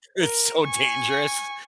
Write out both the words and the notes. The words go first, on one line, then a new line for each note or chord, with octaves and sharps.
It's so dangerous.
A#4
G#5 C#6